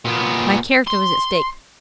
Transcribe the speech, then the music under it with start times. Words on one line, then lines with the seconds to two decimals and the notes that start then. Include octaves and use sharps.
My character was at stake.
0.05 A#2 B3
0.87 C6